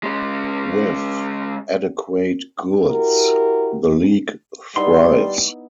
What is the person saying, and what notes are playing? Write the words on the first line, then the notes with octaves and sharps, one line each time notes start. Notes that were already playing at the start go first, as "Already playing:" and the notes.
With adequate goods, the league thrives.
G#3 C#4
E4 F#4 G4 A#4
G3 B3 D#4 E4 D5 C6